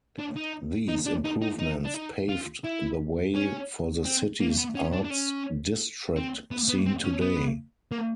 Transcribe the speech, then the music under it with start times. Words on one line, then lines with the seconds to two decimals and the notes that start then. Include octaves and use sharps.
These improvements paved the way for the city's arts district seen today.
0.18 D4
0.36 D#4
0.88 D#4
1.06 D4
1.24 D#4
1.42 D#4
1.59 D#4
1.85 D4
1.94 D#4
2.29 F4
2.65 E4
3.35 C#4
4.05 C4
4.40 A#3
4.58 B3
4.75 C#4
4.93 D4
5.04 D4
5.10 C#4
6.16 C4
6.51 B3
6.68 B3
6.86 C4
7.04 C#4
7.21 B3
7.92 A#3